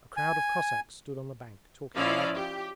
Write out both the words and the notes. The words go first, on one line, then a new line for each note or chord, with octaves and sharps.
A crowd of Cossacks stood on the bank talking loudly.
G#5
F3 C#4 E4 D5 D#5 F5
G4